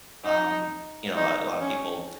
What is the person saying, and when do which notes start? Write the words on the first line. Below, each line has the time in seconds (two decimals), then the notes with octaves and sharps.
Um, you know, uh, a lot of people
0.24 D#4
1.16 D#4
1.60 C#4